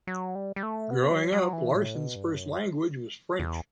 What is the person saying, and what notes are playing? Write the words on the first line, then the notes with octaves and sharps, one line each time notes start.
Growing up, Larson's first language was French.
F#3
G3
G3
A3
B3
F#3
F#3
E3
A2
B2
G2
F#2
E2